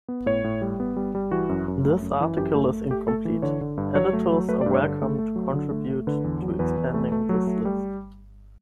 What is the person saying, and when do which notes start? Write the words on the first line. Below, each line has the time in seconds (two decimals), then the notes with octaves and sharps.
This article is incomplete, editors are welcome to contribute to expanding this list.
0.08 B3
0.26 A2 C#5
0.44 A2
0.62 G3
0.80 B3
0.96 G3
1.15 G3
1.31 E3 F#4
1.49 F#2
1.68 F#2
1.85 A3
2.02 F#2
2.21 E3
2.37 F#2 G4
2.54 A3
2.72 A3
2.90 A3 G4
3.08 A3 A4
3.25 E3
3.42 D3 C#5
3.61 D3
3.77 G2
3.95 F#3 C#5
4.13 A3
4.31 F#3
4.48 A3 B4
4.61 D5
4.66 G2
4.74 C#5
4.83 D3
4.88 A4
5.02 A3
5.18 A3
5.36 F#3
5.54 D3
5.71 A3
5.88 A3
6.07 D3 B4
6.24 E2
6.42 F#3
6.59 E2 B4
6.77 E2
6.94 A3
7.12 A3
7.29 F#3
7.47 A3
7.65 G3